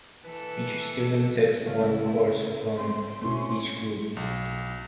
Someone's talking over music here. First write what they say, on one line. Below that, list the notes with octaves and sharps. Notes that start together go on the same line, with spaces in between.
Each student takes one course from each group.
E3 A4 B4
C#3 G#3 A3 B3 E4 F5
C4 C6
B2 A3 C4 C#4 E4
B1